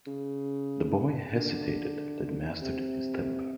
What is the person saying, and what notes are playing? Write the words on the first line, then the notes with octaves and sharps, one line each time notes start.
The boy hesitated, then mastered his temper.
C#3
D3
C3